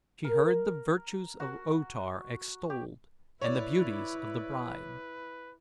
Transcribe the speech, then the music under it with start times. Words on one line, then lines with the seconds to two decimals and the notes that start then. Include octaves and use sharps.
She heard the virtues of O-Tar extolled and the beauties of the bride.
0.24 A#4
1.40 F#4
2.70 G4
3.41 E4 B4 C#5 D5